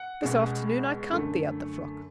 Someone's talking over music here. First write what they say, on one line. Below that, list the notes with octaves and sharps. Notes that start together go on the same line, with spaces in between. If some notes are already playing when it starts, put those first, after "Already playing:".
This afternoon I count the other flock.
Already playing: F#5
C#2 B2 G#3
F#2 D3 A3